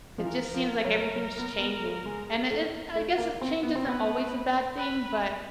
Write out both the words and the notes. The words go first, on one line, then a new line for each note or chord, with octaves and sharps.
it just seems like everything's changing, and it it I guess change isn't always a bad thing, but
F3
E3 A#4
F3
F#3
F#3
B3
B3
A3
G#3
A3
A3
A#3
C4
B3
C4
B3 B4
B4